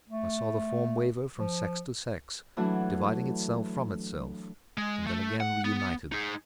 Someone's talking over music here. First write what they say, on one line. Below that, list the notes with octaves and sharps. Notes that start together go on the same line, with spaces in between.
I saw the form waver from sex to sex, dividing itself from itself, and then again reunited.
A3
F3
E3 F#3 A3 D4 E4
G#3
A3
F#5
B3
D#4 G#4